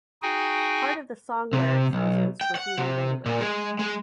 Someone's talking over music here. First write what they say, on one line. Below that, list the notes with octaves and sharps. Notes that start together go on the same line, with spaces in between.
Part of the song lyrics was in Swahili language.
D#4 F#4 G#4 G5 G#5
C3
B1
G5
F#5
C3
A#2
G#3
G#3